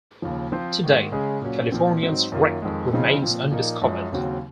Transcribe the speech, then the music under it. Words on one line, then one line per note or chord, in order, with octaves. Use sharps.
To date, "Californian"s wreck remains undiscovered.
D#2 C#3 F3
F3 C4 F4 C5
G#2 D#3 A#3
C#3 G#3 C#4 G#4
A#2 F#3 C#4
A#2 F3 C4
G#2 F#3 C4 D#4
F#2 D#3 A#3 F4
F2 D#3 G#3
C#3 F3 C4 D#4 G#4
A#2 F3 C4
A#2 F3 A#3 D#4
F#2 F3 G#3
D#2 C#3 F#3 C4 F#4